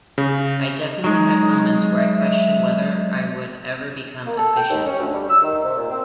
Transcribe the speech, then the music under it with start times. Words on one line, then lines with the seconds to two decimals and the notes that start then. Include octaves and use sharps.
I definitely had moments where I questioned whether I would ever become efficient.
0.18 C#3
1.04 F#3 G#3 D#4
1.96 E5
4.26 A#3
4.38 A4
4.57 G5
4.70 D#2
4.85 C#4
4.99 D2
5.13 G3
5.29 E6
5.42 D#3
5.64 C3
5.77 A#2
5.90 C4